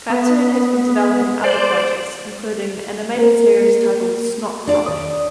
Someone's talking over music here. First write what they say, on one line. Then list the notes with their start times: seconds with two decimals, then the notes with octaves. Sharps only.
Cartoon has been developing other projects, including an animated series titled "Snotrocket".
0.10 B3
1.44 C5 D5
3.16 A#3 A#4
4.67 D4 D5
4.86 D#2 C#5 D#6